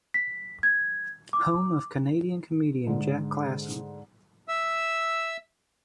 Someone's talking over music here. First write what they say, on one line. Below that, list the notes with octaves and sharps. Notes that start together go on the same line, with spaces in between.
Home of canadian comedian Jack Klassen.
B6
G#6
D6
G#2 D3
E5 E6